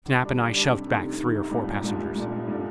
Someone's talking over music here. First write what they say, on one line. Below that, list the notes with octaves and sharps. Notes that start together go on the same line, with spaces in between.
Snap and I shoved back three or four passengers.
D3
G3 D4
D3
G3 D4
C3
D#3 A3
C3
D#3 A3
C2
A#2 G3 D4
C2
A#2 G3 D4
C2
A#2 A3 D4
C2
A#2 A3 D4